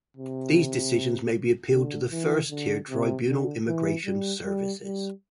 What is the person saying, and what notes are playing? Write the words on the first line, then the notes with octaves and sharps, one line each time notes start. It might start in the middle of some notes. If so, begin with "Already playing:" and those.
These decisions may be appealed to the First-tier Tribunal Immigration Services.
C3
D3
E3
D3
C3
D3
E3
G3
G3
G3